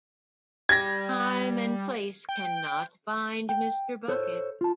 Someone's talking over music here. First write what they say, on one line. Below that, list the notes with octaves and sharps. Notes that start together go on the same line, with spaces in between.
Time and place cannot bind Mr. Bucket.
G3 G#6 A#6
G5
G5
A4 C5 C#5
F4 A5